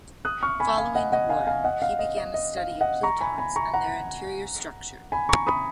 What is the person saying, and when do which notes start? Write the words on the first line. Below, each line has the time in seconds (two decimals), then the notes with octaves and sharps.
Following the war, he began a study of plutons and their interior structure.
0.25 D#6 F#6
0.43 C#6 F6
0.60 G#5 B5
0.78 F5 G#5
0.95 D#5 F#5
1.12 D#5 F#5
1.29 F5 G#5
1.47 F5 G#5
1.64 D#5 F#5
1.82 F5
1.99 D#5
2.17 D#5
2.34 D#5
2.57 F5
2.81 D#5 F#5
3.03 A#5 C#6
3.21 G#5 B5
3.38 G#5 B5
3.56 A#5 C#6
3.74 F#5 A#5
5.12 G#5 B5
5.29 A#5 C#6
5.47 B5 D#6